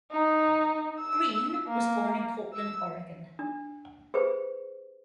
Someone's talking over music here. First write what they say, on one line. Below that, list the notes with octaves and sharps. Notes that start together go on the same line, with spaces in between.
Green was born in Portland, Oregon.
D#4
E6
A#3
E6
D4
G4 G#4 B4 C5